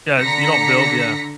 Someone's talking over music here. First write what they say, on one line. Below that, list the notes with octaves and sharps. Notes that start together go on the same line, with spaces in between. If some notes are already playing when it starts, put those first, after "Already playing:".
Yeah, you don't build, yeah.
D3 A#5 A#6 B6 C#7